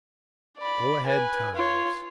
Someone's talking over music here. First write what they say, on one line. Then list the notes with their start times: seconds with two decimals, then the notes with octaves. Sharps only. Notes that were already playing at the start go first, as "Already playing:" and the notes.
Go-ahead Times!
0.58 D5 B5
1.06 B4 G#5
1.55 F4 C#5